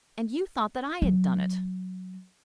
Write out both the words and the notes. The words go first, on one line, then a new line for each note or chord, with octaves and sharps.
And you thought that I had done it!
F#3